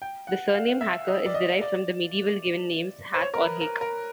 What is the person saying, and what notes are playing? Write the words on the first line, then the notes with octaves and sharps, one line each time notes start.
The surname Hacker is derived from the medieval given names Hack or Hake.
G5
F#5
F5
E5
D#5
D5
D#5
D5
C5
C#5
A#4
B4
A#4
A#4